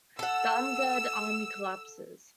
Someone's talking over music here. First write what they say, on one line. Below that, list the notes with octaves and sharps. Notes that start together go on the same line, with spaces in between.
The undead army collapses.
A4 F#5 E6